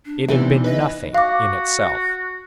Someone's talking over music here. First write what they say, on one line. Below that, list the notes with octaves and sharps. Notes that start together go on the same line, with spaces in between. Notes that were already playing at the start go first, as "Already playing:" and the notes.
It had been nothing in itself.
D4
E2 C3 E3 D#4
B4 D#5
F#4 F5 D6